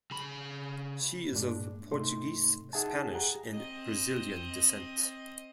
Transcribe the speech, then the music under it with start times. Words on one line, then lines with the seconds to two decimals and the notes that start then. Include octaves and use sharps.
She is of Portuguese, Spanish, and Brazilian descent.
0.11 C#3 B5
1.32 G2 A#2 G#3 D4
1.92 G#2 C3 A3 D#4 C6
2.73 D#4 G#4 E5 F#5 G#5 A5
3.11 G4 G#4 F#5 A#5
3.53 C4 D#5